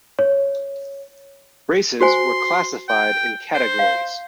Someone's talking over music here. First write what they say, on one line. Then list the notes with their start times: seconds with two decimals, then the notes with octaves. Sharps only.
Races were classified in categories.
0.19 C#5
2.01 F#4 C5 G#5 C6
2.89 G5
3.54 C5
3.79 F5